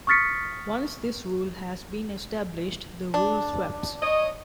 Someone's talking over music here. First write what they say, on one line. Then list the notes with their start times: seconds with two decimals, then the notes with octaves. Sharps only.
Once this rule has been established, the rule swaps.
0.07 C#6 D#6 F6 A6 B6 C#7
3.14 D4
4.01 C#5 D#5